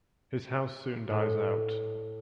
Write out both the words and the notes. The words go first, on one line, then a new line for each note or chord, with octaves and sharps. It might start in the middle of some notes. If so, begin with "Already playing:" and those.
His house soon dies out.
A2